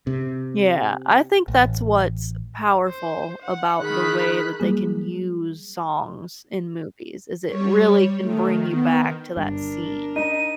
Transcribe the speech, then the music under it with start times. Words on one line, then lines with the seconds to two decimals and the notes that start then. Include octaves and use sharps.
yeah. I think that's what's powerful about the way that they can use songs in movies, is it really can bring you back to that scene.
0.07 C3
1.48 A1
2.88 C5
3.42 F#5
3.81 D#3 G#4 B5 F#6
4.60 F#3 G3 A#3 G#4
7.47 G3 C#5
8.22 D#3 A3
8.73 B3
9.37 G1 G2 D4 A#4
10.16 D#4 D#7